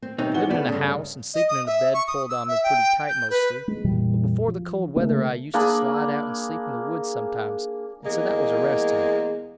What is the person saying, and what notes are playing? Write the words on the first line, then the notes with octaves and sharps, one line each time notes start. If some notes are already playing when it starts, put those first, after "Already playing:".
Living in a house and sleeping in a bed pulled on me pretty tight mostly, but before the cold weather I used to slide out and sleep in the woods sometimes, and so that was a rest to me.
C4
B2 E3 G3 C4 C#4 D#4
E3 B3 F#4 G#4 F#5 G7
C#2 A3 B3 A4 D5
G2 C#3
D#5
D#6
E5
C#6
D#6
E6
E5
G5
G6
B4
G#3
F2 A#2 E3 G3
F3
C#3 A3 A#3 C#4
A#3 D4 G#4 B5
E2 G#3 A#3